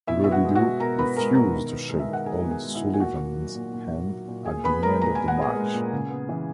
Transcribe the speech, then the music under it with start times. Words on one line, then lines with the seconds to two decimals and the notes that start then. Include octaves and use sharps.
Robidoux refused to shake O'Sullivan's hand at the end of the match.
0.07 B2 E4 E5
0.24 B3 E5
0.31 F#4 F#5
0.44 G#3
0.55 F#4 F#5
0.63 B2
0.80 B2 A#4 A#5
0.99 B3 B4 B5
1.16 G#3 A#4 A#5
1.35 B2 A#4 A#5
1.53 D#3
1.71 B3
1.90 G#3
1.99 E5
2.08 D#3 F#5
2.26 D#3 G#4 G#5
2.44 B3
2.51 G#4 G#5
2.63 G#3
2.75 E4 E5
2.81 D#3
2.94 G#5
3.00 A#2 F#4 F#5
3.18 A#3
3.36 F#3
3.55 A#2
3.73 A#2
3.92 A#3
4.09 F#3
4.28 A#2
4.45 A#2 G#4 G#5
4.64 B3 B4 B5
4.82 G#3 A#4 A#5
5.01 A#2 A#5
5.15 A#2 G#5
5.28 F#5
5.37 B3 G#4 G#5
5.56 G#3
5.74 A#2
5.93 C#3
6.10 B3
6.29 E3